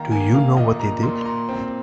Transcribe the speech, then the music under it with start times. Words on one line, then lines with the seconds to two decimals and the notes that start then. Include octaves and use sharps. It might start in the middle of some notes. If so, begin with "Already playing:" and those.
Do you know what they did?
Already playing: D#3 A#3 F5 A#5
0.11 A#3 G#5
0.34 F5
0.57 A#2 D#5
0.79 A#5
1.03 A#2 C6
1.21 C6
1.25 A#5
1.49 C4